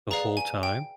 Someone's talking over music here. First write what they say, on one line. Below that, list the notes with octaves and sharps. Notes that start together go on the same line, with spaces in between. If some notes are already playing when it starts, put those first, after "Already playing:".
The whole time?
G#4 B4 D5 F5 A#5
G#5
G5